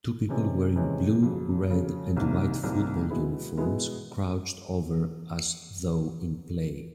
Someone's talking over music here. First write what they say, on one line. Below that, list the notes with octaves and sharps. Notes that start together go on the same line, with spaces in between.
Two people wearing blue, red, and white football uniforms crouched over as though in play.
C3 E3 G#3 C#4
C3 E3 G#3 C#4
F2 C#3 F#3
F2 C#3 F#3
C2 C3 D#3 G3 A#3
C2 C3 D#3 G3 A#3
B2 G#3 B3 E4
B2 G#3 B3 E4